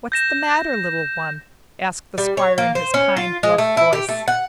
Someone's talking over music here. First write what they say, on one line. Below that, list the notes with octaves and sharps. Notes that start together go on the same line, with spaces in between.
"What 's the matter, little one?" asked the Squire in his kind, bluff voice.
G6 A#6 E7
G3
C#5
A#3
C5
C#4
F4
G#3
A3
E4
G4
A3
F#5